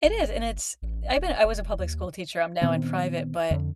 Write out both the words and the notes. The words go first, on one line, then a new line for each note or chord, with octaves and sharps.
It is, and it's I've been I was a public school teacher, I'm now in private, but
G1
A1
E1
F1
D#2
A#2 D#3 B3 C4
F2 D3